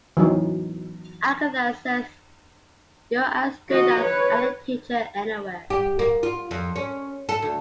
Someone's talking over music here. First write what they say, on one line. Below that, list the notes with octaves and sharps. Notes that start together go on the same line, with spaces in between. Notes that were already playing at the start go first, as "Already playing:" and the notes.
Agatha says you’re as good as any teacher anywhere.
E3 F#3 D#4
F#4 D#5
B4 C#5
G4
A#3
F4
F2
C#4
A4
D2